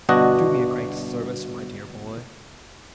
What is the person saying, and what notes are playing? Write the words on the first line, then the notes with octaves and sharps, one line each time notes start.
Do me a great service, my dear boy.
G1 B2 D4 F#4 D#5